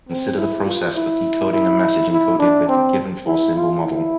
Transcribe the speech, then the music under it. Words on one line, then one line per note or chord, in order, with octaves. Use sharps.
Consider the process for decoding a message encoded with the given four-symbol model.
C4
E4
F4
E4
E4
E4
D4
C4
E4
F4
E4